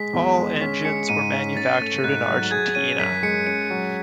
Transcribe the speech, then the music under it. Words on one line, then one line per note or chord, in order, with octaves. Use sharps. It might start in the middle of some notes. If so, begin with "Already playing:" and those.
All engines were manufactured in Argentina.
Already playing: G#3 B6
E2
G#3
C#4 B6
G#3 C#7
G#2 D#7
C#4 B6
C#4 A6
A3
G#2 F#6
F#3 F#6
G#4 G#6
C#4 D#7
F#2 B6
G#3 C#7
C#4 C#7
F#3